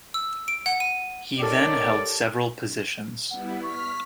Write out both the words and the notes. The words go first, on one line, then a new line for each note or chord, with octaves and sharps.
He then held several positions.
E6
D7
F#5
D#7
D#4 G4 A4 A#4 C#5 D5
G3 B3 E4 F#5
C#6 F6 B6